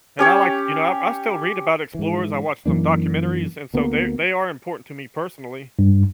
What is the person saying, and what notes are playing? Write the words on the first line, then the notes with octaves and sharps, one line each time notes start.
And I like you know, I I still read about explorers. I watched some documentaries, and so they're they are important to me personally.
C#4 G4 C#5
G#2 E3
F#2 E3 A#3 D4
D2 A#3 B3
G2